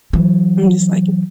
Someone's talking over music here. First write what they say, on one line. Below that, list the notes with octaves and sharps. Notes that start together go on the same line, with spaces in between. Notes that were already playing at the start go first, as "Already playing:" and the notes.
I'm just like it
E3 F#3